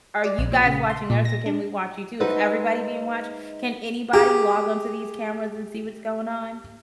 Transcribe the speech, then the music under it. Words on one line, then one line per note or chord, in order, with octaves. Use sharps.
"Are you guys watching us, or can we watch you too? Is everybody being watched? Can anybody log on to these cameras and see what's going on?
D5
A#1
A#2
C#3
C6
A#2
A#6
D4
G#3 D#4 B4 C5 E5 F#5
G4 G#4